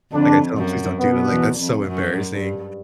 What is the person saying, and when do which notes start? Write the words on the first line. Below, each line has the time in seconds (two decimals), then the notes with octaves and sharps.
Like, I tell him, "Please don't do that. Like, that's so embarrassing."
0.12 F2 D3 D4
0.57 F#2
0.99 B2 B3
1.29 E2
1.58 F2
1.87 F#2
2.32 G2